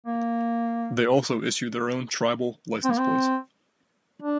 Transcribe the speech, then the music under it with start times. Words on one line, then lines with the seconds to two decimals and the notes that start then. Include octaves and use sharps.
They also issue their own tribal license plates.
0.06 A#3
2.84 C4
2.92 A#3
2.99 C4
4.22 D4